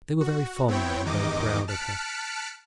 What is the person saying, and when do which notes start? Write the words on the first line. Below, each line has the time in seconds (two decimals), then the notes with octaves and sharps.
They were very fond and very proud of her.
0.21 F#4
0.68 B3 C4 E4 C#5 G5
1.05 E2 G2 D#3 D#4 D#5 D6
1.68 A5 F6 F#6 B6 C#7 D7